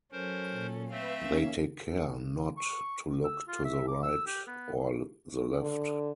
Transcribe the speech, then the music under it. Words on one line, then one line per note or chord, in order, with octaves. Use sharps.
They take care not to look to the right or the left.
F#3 C#4 A4 A#4 C5
A#2
A3 C4 B4 E5 F5
A#3 C#4
C#6
E6
F4
E5
D6
E6
G4
B3
D3